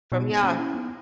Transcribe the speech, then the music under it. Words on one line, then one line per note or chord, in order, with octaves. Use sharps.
from y'all
B2 B3 D#4
A#3 C#4
C#4 E4
B3 D#4